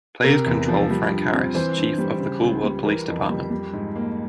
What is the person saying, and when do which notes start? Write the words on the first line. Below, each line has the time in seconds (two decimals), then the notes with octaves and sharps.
Players control Frank Harris, chief of the Cool World police department.
0.24 C3 A#4
0.46 E2
0.68 F3
0.90 G3
1.12 G2
1.33 C4
1.55 E3 C5
1.77 G2
1.98 G3
2.20 C#3
2.42 C#2
2.64 G3
2.85 E3 A#4
3.08 F2
3.30 G3
3.51 G3
3.73 G#2
3.95 A#3